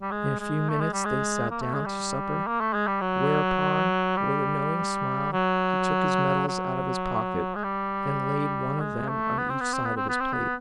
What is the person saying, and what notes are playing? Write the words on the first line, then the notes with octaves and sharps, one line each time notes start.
In a few minutes they sat down to supper; whereupon, with a knowing smile, he took his medals out of his pocket, and laid one of them on each side of his plate.
G3
G#3
G#3
A3
G#3
G3
G#3
A#3
A3
G#3
G3
A#3
A3
G#3
G3
F#3
G3
F#3
F#3
G#3
G3
G#3
A3
B3
C4
B3
C4
B3
C4
B3
C4
B3